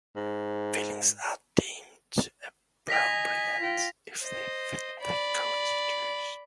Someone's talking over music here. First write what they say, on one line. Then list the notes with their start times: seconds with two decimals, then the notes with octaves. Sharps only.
Feelings are deemed appropriate if they fit the current situation.
0.16 G#2
2.88 D#5 G#5 A#6 B6 F7
3.60 F4 G5
4.22 C5 D#5
5.00 D5 B5